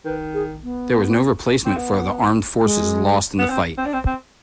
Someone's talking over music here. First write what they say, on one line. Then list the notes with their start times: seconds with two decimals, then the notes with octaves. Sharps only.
There was no replacement for armed forces lost in the fight.
0.05 D#3 B4
0.34 G#4
0.63 B3
1.65 C4
1.77 B3
2.64 G#3
3.39 B3
3.50 C4
3.78 C4
3.86 D4
3.93 C4
4.06 C4